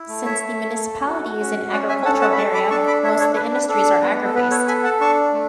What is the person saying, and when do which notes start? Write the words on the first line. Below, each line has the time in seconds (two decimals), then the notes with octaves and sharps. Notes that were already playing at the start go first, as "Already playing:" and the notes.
Since the municipality is an agricultural area, most of the industries are agri-based.
Already playing: E4
0.09 A3
0.25 C#5 E5
0.41 A3
0.74 A4
1.07 F#4
1.39 C#4
1.72 C#4 D5 F#5
1.89 E5 G#5
2.05 A4 F#5 A5
2.21 F#5 A5
2.32 B5
2.38 A4 A5 C#6
2.54 B5 D6
2.70 D4 A5 C#6
2.87 B5 D6
3.03 A4 C#5 E5
3.20 A4 C#5
3.36 D4 B4
3.53 B4
3.69 D4 A4
4.02 B3
4.24 A4
4.35 B3 B4
4.51 A4 C#5
4.68 A4 G#5 B5
4.84 F#5 A5
5.01 D4 A5 C#6
5.33 A3